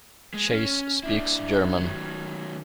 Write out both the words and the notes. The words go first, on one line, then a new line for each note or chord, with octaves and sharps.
Chase speaks German.
G#3
C#4
D4 E4
D#3 F#3